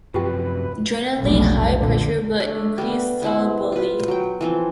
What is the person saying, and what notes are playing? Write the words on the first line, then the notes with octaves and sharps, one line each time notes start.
Generally, higher pressure will increase solubility.
F#2 C3 F3 F#3 F4 G4 B4 G5
F1 B1 F2 A2 G3 G#3
A#2 D3
A3 D4
G3 B3
B3 E4 C5 F#5
F4 B4
F#3 G5
E3 F3 C4